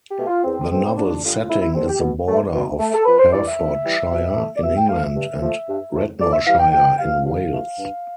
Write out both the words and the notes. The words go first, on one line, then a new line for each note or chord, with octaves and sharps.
The novel's setting is the border of Herefordshire, in England, and Radnorshire, in Wales.
G4
B2 A3
F4
E2 C4
B2 A3 C4
F2 D4
D3 G3 F4
F2 E4
E4
D3 G3 C4
G4
B2
A3
B2
A3
A4
F2 B4
C5
E3 G3 D5
E5
F2
E3 G3
B2
A3
D5
B2 E5
G5
A3 F5
E5
G2
F3 A3
G2
F3 A3
F2 D5
E5
E3 G3 F5
G5
F2 G5
E3 G3 F5
G2 F5
E3 A3
G2